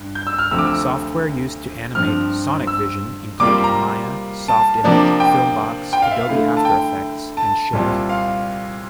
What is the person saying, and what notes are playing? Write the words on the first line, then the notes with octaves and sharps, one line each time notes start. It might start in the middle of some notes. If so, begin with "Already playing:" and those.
Software used to animate "SonicVision" included Maya, SoftImage, FilmBox, Adobe After Effects, and Shake.
Already playing: G2
G6
E6
F6
D2 C3 F3 E6
D6
E6
G2 F3 C4 F6
E6
C3 G3 A#3 F4 D6
A#5
A5
C3 F3 A#3 D4
G5
G5
F5
E5
F5
D3 A3 E4
A5
G5
A5
C2 A#2 G3 C4 F4
F5